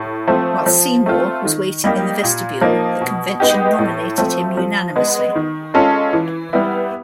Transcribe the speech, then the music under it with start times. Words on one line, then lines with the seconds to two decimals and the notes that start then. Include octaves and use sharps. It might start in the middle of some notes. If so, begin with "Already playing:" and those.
While Seymour was waiting in the vestibule, the convention nominated him unanimously.
Already playing: A2
0.27 F3 A3 C4
0.66 F3
1.06 A3 C4 F4
1.45 D#3
1.84 G3 A#3 D#4 G4
2.24 A#2
2.61 F3 A#3 D#4
3.01 B2
3.40 G#3 B3 D#4 G4
3.78 A2
4.18 F3 A3 C4
4.57 F3
4.96 G#3 B3
5.35 D#3
5.74 G#3 C#4 F4 A4
6.13 E3
6.53 G3 B3 E4